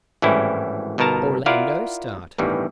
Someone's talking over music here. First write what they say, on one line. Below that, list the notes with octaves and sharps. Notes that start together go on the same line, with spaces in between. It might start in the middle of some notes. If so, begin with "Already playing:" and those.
Orlando started.
G#1 A2 E3 G3 C#4 E4
G1 B2 D#4 A#4 A5 A#5
E4 F4 A#4 D5 F5 F#5
A1 E2 G2 D#3 E3 G3